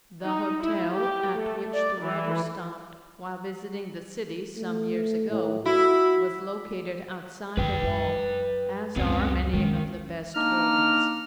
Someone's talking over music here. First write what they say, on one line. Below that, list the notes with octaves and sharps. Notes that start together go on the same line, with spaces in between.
The hotel at which the writer stopped while visiting the city some years ago, was located outside the wall, as are many of the best buildings.
D#4
E4
G4
A3
D5
E3
A3
A2
E4 F#4
F2 D3 B4 G5
F#2
C#2 F#2 G#3 B3 C4
D#3 G#3 C#4
A#3 D4 D#4 A#5 F6